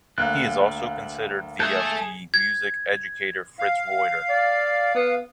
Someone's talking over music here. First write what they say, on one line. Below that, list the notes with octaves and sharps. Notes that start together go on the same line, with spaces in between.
He is also considered the of the music educator Fritz Reuter.
D2 A#3 F5 F#6
G#4 A4 E5 G6
G#6
F5
D5
B3